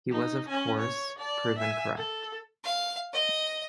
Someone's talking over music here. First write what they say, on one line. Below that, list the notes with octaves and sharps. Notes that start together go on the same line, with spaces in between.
He was, of course, proven correct.
D#4
C#4 G#5
C#5
D5 A5
E5 G#5
A4
F5
D#5